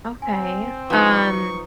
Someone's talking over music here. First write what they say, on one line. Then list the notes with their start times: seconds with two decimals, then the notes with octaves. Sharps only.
Okay. Um
0.22 C4 G#5
0.90 F3 D#4 B4 C#6 C#7